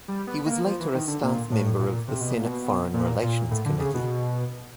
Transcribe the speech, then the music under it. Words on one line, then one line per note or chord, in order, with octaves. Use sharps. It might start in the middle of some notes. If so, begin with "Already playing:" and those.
He was later a staff member of the Senate Foreign Relations Committee.
G3
B3
A#3
F3
E3
D#3
D3
A#2
A2
A#2
C3
B2
A#2
B2
A#2
A#2
A2
D3
C#3
B2